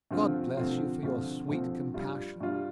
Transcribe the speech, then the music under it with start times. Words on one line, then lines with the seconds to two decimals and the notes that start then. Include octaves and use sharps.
"God bless you for your sweet compassion!"
0.11 G2 D3 F3 C4 F4
0.57 G2 D3 F3 C4 F4
1.03 G2 D3 F3 C4 F4
1.48 G2 D3 F3 C4 F4
1.94 G2 G3 F4
2.40 G2 G3 F4